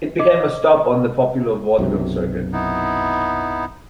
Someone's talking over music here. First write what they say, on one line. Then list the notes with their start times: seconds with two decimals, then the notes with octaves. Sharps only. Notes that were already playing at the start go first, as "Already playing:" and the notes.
It became a stop on the popular vaudeville circuit.
0.19 D#5 D6
1.79 B1 F#2 C3
2.53 B3 D#4 E4